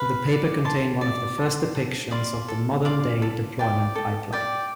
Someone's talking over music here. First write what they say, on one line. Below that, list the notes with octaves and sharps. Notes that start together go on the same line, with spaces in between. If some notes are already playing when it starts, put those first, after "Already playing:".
The paper contained one of the first depictions of the modern-day deployment pipeline.
Already playing: B4 F5
D5
A5 C6
D5
A5 C6
A4
D5 F5 C6
A4
D5 F5 C6
A4
D5 G5
A4
D5 G5